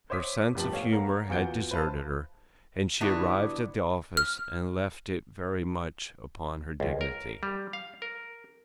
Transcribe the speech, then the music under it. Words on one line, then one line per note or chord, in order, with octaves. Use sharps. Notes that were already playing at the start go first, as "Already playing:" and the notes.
Her sense of humour had deserted her, and she arrived at the office and left it very much upon her dignity.
C5 C#5 E5 D6 D#6 B6
F1 G2 F3 G4 A5 F#7
A3 B3 C#5 F5
A#4 F5 F#5 A#5
E2 E3 F4 F#4 G6 D7
B4 C5 E5 F5 A5 B5
D3 G3 B3 D4 E4 F#4
F6
C#2
A#4
G3
F5
A#4